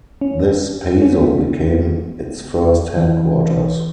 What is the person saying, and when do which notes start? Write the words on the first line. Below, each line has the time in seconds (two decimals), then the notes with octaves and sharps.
This pazo became its first headquarters.
0.21 C#4
1.02 C#4
1.12 B3
2.97 E3